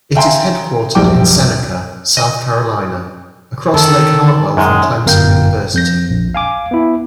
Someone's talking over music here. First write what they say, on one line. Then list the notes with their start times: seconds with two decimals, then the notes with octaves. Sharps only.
It is headquartered in Seneca, South Carolina, across Lake Hartwell from Clemson University.
0.15 E5 F5 G5 G#5 A#5 C6
0.95 D#1 A#1 F#2 G4 G5 D6
2.17 D#5
3.74 D#3 A4
4.57 F#2 D#3 G#3
5.06 G1 F#2 A#4 F5 G5 G6
5.74 F2 G6 A#6
6.10 A#1
6.34 F5 G#5 D6
6.71 B3 E4